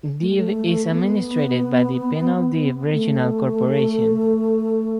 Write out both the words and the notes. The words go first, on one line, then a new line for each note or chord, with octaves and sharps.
Debe is administered by the Penal-Debe Regional Corporation.
A3
G#3
A3
B3
A3